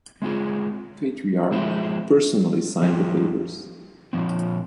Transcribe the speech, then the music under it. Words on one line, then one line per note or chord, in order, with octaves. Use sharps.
Patriarch personally signed the papers.
G#3 C4 F4 G#4
F3 G#3 C4 E4
F3 C4 F4 G#4
A#2 F3 C4